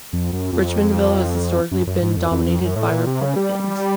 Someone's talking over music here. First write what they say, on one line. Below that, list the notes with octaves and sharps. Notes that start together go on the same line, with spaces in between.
Richmondville has historically been dominated by Republicans.
F2
F#2
F2
F#2
F#2
G#2
F2
F2
E2
F2
F#2
A2
A#2
C3
C#3
G3